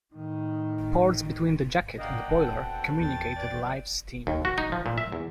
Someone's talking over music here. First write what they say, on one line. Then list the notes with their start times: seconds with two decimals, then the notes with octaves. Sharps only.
Ports between the jacket and boiler communicated live steam.
0.14 A2 D#3
1.98 A#3 D4 D#5 F#5 G5
2.28 E1 B2 D3 C4 A5
3.01 E2 G5 A6
3.36 C3 B3 D5
4.27 D#2
4.45 F#4
4.58 D#4
4.72 F3
4.86 A#2
4.98 E5
5.12 E2